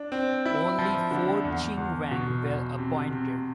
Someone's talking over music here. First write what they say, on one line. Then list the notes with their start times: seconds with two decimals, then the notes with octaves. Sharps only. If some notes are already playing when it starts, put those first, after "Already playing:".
Only four "chinwang" were appointed.
Already playing: D4
0.12 C4
0.46 E4
0.78 F3
1.11 D3
1.45 E2
1.77 E2
2.11 B2
2.44 E2
2.78 C3
3.11 C3